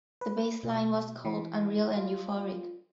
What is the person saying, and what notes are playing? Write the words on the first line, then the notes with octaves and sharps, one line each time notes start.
The bassline was called "unreal" and "euphoric".
B4
B2
E3
F4